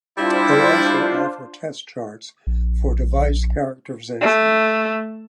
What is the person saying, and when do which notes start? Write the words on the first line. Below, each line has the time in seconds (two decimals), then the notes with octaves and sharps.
They also offer test charts for device characterization.
0.18 G3 D4 E4 F4 C5
2.47 A#1
4.21 A3